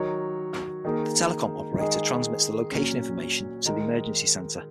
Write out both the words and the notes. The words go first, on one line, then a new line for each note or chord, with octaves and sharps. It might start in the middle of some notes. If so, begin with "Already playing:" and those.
The telecom operator transmits the location information to the emergency centre.
Already playing: D#3 F#3 D#4 A#4 C#5
D#3 A#3 D#4 G#4
D#3 G#3 D#4 G#4
A#2 F#3 C#4
D#3 G#3 D#4 A#4